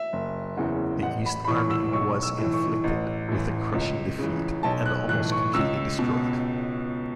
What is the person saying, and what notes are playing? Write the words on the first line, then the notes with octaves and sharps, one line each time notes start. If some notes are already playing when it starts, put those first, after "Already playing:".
The East Army was inflicted with a crushing defeat and almost completely destroyed.
Already playing: E5
F#1
E2 C#3 E3
A1 F#5
B5
B5
A2 E3 C#6
E6
B1 C#6
E6
A2 E3
C#6
A1
A2 E3
C#2
C#3 E3
B1 A5
F#6
A2 E3 F#6
C#6
C#2 E6
B2